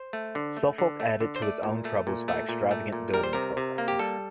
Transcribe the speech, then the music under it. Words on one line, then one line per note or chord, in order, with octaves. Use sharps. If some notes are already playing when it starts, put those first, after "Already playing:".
Suffolk added to his own troubles by extravagant building programs.
Already playing: C5
A3
D3
A3
D3
A3
D3
C5
A3 D5
A#2
A3
A#2
A3
A#2
A3
A#2
G3 A#4
C5
C3 A#4
C3
A#3
G4
G3 A4